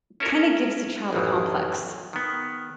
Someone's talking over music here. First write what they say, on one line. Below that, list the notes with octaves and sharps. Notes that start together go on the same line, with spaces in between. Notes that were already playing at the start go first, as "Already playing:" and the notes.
kinda gives the child a complex.
C#4 E4 A4 A#4
A1 F#2 D#3 E3
D#3 B3